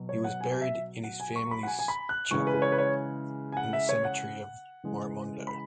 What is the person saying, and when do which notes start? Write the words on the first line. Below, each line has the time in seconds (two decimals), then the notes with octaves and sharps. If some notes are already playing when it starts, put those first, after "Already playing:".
He was buried in his family's chapel in the cemetery of Morimondo.
Already playing: B2 F#3
0.09 C#5
0.24 F#5
0.41 G#5
0.62 E5
1.04 F#5
1.20 G#5
1.36 C#6
1.51 B5
1.63 F#5
1.67 G#5
1.79 G#5
1.88 B5
2.09 F#6
2.31 C#3 E3 G#3 C#6
2.47 B4
2.62 C#5
2.72 B4
2.78 C#5
3.52 G#5
3.57 F#5
3.73 E5
3.89 C#5
4.05 F#5
4.84 C#3 E3 G#3
5.47 B5